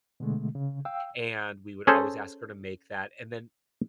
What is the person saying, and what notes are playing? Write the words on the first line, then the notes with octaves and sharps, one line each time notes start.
and we would always ask her to make that, and then
B2 D3 G#3 A3
C#3
F5 G5 E6
C#4 G#4 A4 C5